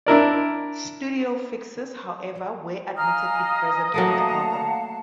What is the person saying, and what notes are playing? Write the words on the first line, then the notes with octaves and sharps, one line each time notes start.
Studio fixes, however, were admittedly present on the album.
D4 E4 A#4 D5
D#5 F5 G#5 A#5 F6
F#3 A3 A#3 F5 F#5 A5 A#5